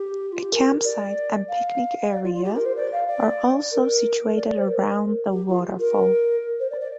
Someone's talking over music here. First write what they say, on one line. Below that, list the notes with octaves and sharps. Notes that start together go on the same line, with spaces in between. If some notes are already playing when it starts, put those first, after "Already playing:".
A camp site and picnic area are also situated around the waterfall.
Already playing: G4
F4
G4
A#4
D5
F5
D5
F4
F4
G4
A#4
C5
D5
F5
D5
A#4
D5
D5
C5
A#4
G4
F4
A#4
C5
D5
D5